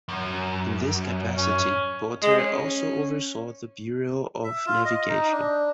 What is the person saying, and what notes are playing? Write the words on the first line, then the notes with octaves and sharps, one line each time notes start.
In this capacity, Potter also oversaw the Bureau of Navigation.
F#2
C#4
G#3
C#4
E5
F4
D#5
D#4
D4